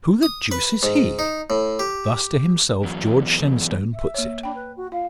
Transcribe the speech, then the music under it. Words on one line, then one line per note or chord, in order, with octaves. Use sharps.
"Who the deuce is he?" Thus to himself George Shenstone puts it.
D#6
B4
G#2
D#4
A2
G4
E2 F#3
E5
A#3 C#5
D4 G5 B5
B4
F#4
F4 F5